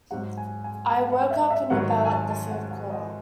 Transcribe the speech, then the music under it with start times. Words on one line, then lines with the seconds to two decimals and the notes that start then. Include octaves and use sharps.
I woke up in about the third quarter.
0.11 G#2 F#3 F#5
0.37 G#5
0.64 G#5
0.90 A5
1.11 F#5
1.31 E5
1.51 E5
1.70 G#2 D#3 F#3 F#5
1.90 A5
2.05 G#5
2.11 A5
2.30 A5
2.51 F#5
2.71 F#5
2.90 D#5